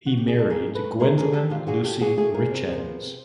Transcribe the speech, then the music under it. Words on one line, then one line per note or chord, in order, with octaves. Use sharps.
He married Gwendoline Lucy Richens.
F#4
G4
G#4
A4
F2 G#4 A#4
A3
A4 B4
A3
A3 G#4 A#4
F2 G#4 A#4
D3 G4 A4
A#2 F4 G4
A#2 F#4 G#4
A#2 G4 A4
A#2 F#4 G#4
A3 F#4 G#4
A#2 G#4 A#4
C3
F3
B3
C3